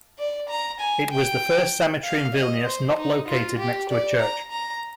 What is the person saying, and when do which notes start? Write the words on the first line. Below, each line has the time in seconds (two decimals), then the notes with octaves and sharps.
It was the first cemetery in Vilnius not located next to a church.
0.18 D5
0.50 A#5
0.80 G#5
1.12 G5
2.04 F5
2.35 D#5
2.65 C5
2.97 D#4
3.28 F4
3.59 G4
3.90 D5
4.20 A#5
4.51 A#5